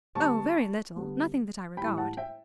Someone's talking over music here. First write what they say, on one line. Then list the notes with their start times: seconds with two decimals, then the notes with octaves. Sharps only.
"Oh! very little, Nothing that I regard."
0.15 D3 G3 B3 A5 C#6
0.96 D3 G3 B3
1.77 A2 E3 G3 G5 B5
1.97 F#5 A5
2.17 E5 G5